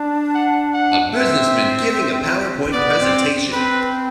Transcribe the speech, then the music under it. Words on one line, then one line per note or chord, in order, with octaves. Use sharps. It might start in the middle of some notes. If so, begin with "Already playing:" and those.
A businessman giving a powerpoint presentation.
Already playing: D4
F#5
F#5
C4 E5
B3 D5
C4
C4 B4